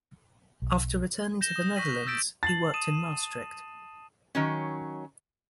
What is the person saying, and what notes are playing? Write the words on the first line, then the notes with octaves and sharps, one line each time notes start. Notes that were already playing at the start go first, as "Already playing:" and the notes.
After returning to the Netherlands, he worked in Maastricht.
B1
G6 A#6 E7 G7
D#6
C#6 A#6 B6 D#7 F#7
E6 G6 A6 B6 D7
A5 A6 C7 F#7
D#6 D#7 E7
D#3 F#3 C#4